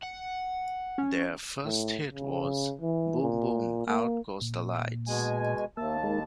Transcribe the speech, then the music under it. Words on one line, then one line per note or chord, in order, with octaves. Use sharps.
Their first hit was "Boom Boom Out Goes The Lights".
F#5
C#4
A2
C#3
E3
A#2
A#3
A#2
B2 G#3 G#5
D#2 A#3 E5 A5
G#3 D#4 A#4